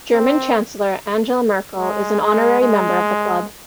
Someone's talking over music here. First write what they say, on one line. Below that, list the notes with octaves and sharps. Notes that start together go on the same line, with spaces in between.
German Chancellor Angela Merkel is an honorary member of the club.
C4
G#3
G#3
G#3